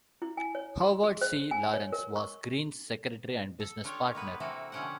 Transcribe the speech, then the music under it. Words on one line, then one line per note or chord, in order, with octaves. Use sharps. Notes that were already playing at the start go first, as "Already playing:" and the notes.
Howard C. Lawrence was Green's secretary and business partner.
E4
G#5
C#5
C6
G#4
C5
G#5
C#5
A#4
C#6
A4
D4 F4 G4 C#5
A#3 B3 B4
C3 E3 A#3 F#4 A4
B2 D3 F3 C#4 G4 F#5